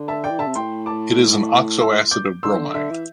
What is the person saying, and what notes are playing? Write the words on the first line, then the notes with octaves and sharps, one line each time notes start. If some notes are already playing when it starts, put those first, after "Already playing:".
It is an oxoacid of bromine.
Already playing: D3
E5 A5
D5 G5
E3
D3 E5 A5
C3
A2 G5 C6
A5 D6
C6 E6
D6 G6
D3 C6 E6
E3
D3
D3 E5
E3